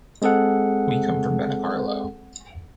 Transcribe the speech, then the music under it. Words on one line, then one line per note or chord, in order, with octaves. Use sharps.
We come from Benicarló.
G#3 C4 G#4 A4 F#5